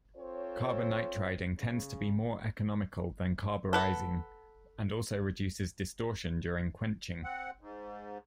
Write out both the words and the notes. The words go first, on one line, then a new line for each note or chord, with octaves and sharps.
Carbonitriding tends to be more economical than carburizing, and also reduces distortion during quenching.
C4 F4 A4 C5 C#5
C#3
A4 B4 F#5
C4 F#5
G#2